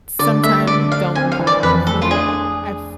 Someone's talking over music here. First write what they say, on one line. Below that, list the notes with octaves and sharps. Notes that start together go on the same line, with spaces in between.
sometime don't know how to feel. I've
D3 D5
A3 E5
D3 D5
D4 F5
C4 G#5
F5
E3
D5
F2 B4
A3 A4
F4
D4 G#4